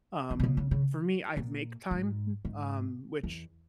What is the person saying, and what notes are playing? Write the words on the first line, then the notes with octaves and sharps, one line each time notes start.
um, for me, I make time, um, which,
D#3
B2
C#3
C#3
C#3
A#2
G#2
G#2
E2